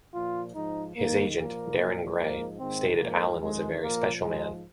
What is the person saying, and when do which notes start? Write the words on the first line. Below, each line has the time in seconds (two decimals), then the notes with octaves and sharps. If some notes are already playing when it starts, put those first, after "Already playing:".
His agent, Darren Gray, stated Alan was a very special man.
0.14 A#2 F3 F4
0.55 G#2 F3 D#4
0.96 G#2 D#3 A#3
1.37 A#2 F3 A#3
1.78 A#2 F3
2.18 G#2 F3 A#3
2.59 G#2 D#3 C4
3.00 G#2 F3 A#3
3.41 F2 D#3 G#3
3.81 A#2 F3 A#3
4.22 G#2 F3 G#3